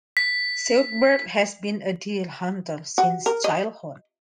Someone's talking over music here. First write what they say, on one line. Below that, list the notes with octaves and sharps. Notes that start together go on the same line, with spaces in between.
Seubert has been a deer hunter since childhood.
B6
F#4
A#4
D#5